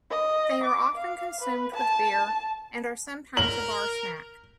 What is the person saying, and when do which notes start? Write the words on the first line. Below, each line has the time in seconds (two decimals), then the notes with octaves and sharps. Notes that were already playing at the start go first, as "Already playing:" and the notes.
They are often consumed with beer and are sometimes a bar snack.
0.10 D#5
0.63 D6
0.95 F5
1.40 B4
1.74 A5
3.37 A#4 F#7